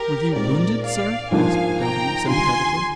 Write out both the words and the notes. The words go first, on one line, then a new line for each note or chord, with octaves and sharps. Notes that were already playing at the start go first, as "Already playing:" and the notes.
"Were you wounded, sir?" asked W----, sympathetically.
Already playing: G4 A#4
A#2 G#3 C4 D#4 A#4 D5
D5 F5
G#2 F3 A#3 D4 F4 F5 G#5
G5 A#5
D#2 D3 G3 D4 F4 G#5 C6